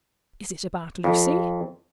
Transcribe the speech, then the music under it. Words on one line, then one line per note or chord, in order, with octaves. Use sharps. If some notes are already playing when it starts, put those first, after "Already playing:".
"Is it about Lucy?"
F2